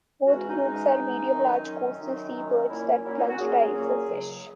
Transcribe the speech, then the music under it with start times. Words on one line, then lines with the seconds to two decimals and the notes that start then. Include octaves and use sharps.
Both groups are medium-large coastal seabirds that plunge-dive for fish.
0.25 G#2 E3 G#3 C#4 F#4
0.36 F#4
0.48 D#4
0.59 G#2 E3 G#3 C#4 D#4
0.94 G#2 E3 G#3 C#4
1.29 F#2 D#3 F#3 C#4
1.64 F#2 D#3 F#3 C#4
1.99 F#2 D#3 F#3 C#4 D#4
2.34 F#2 D#3 F#3 C#4
2.69 A#2 F#3 A#3 C#4 E4
3.03 A#2 F#3 A#3 C#4 E4
3.15 D#4
3.27 F#4
3.38 A#2 F#3 A#3 C#4 G#4
3.74 A#2 F#3 A#3 C#4
4.09 C#2 C#3 F#3